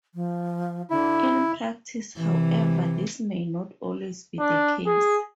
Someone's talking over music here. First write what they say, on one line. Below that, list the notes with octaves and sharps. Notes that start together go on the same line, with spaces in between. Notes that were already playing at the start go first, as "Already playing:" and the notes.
In practice however this may not always be the case.
F3
D3 E4
C3 E3
D4
G#4